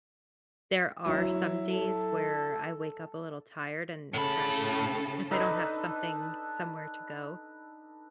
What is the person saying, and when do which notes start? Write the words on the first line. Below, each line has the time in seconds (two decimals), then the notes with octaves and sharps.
There are some days where I wake up a little tired, and that's if I don't have something somewhere to go.
1.06 F#3 E4
1.69 A4
4.14 A2 C#3 A4 B5
5.30 D4 D#4 A4 B4